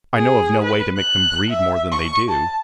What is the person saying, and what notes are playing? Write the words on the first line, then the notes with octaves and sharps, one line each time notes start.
I know of no way to make them breed more than they do.
G#4
B4
F#6
E5
C#6
A5